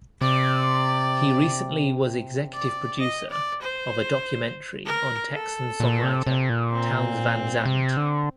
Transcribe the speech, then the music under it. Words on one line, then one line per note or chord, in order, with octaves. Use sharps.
He recently was executive producer of a documentary on Texan songwriter Townes Van Zandt.
C3 D5
D5
D#5
D5
C5
A#2
A#4
A4
A#2
C3
C3
A#2
C4
C3
D3